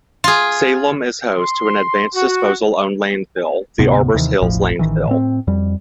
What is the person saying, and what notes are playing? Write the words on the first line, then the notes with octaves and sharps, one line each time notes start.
Salem is host to an Advanced Disposal-owned landfill, the Arbor Hills Landfill.
F4 G#4
C6
F#4
D2 G#2 C3 B3
D#2 C3 D#3 E3
E1 A1 A2 F3
A1 D#3 E3
A2 C4
F2 G3